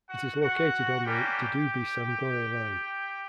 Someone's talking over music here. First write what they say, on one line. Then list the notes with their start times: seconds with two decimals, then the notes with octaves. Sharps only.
It is located on the Didube-Samgori line.
0.09 F#4 F#5
0.41 F#4 F#5
1.04 G3 A#3 C#4 F#4 G4 G5